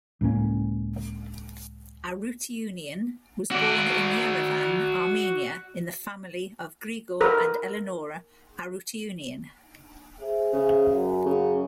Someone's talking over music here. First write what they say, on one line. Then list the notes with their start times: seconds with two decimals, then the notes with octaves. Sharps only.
Arutiunian was born in Yerevan, Armenia, in the family of Grigor and Eleonora Arutiunian.
0.21 C#2 A2 A#3 C#4
3.51 F#4 D5
7.21 A#4 B4
10.20 G#4 C5 E5
10.53 C#3
10.90 F#2
11.25 C#3